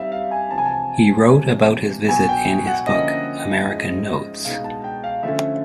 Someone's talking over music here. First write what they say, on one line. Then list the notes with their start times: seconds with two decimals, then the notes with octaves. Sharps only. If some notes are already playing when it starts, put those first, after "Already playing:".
He wrote about his visit in his book, "American Notes".
Already playing: G3 C4 D#4 E5 F5
0.12 F5
0.31 G#5
0.51 E2 C3 F3 A5
0.58 G#5
0.66 A5
1.30 C3 E3 G3 C4
2.08 B2 F#3 B3 G#5
2.29 G5
2.67 F#5
2.87 D3 F3 A#3 C#4 E4 D#5
3.66 G#2 F3 G#3 C#4 E4
4.45 B2 G#3 B3 D#4 F5
4.64 A5
4.84 G5
5.04 F5
5.23 D3 F3 A3 C#4 E5